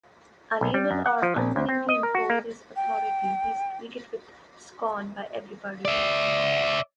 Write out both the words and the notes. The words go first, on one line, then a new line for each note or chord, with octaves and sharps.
Unable or unwilling to impose his authority, he is treated with scorn by everybody.
B1
G3
F#2
F#5
F3
A#1
D2
C4
D#5
A#4
F#4
A#3
G5
D5 E5